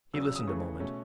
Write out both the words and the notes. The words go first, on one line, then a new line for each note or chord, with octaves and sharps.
He listened a moment.
E2 C#3 F#3 C#4 E6
E6
D#6
C#3 E3 A3 C#6
B2 A3 C#4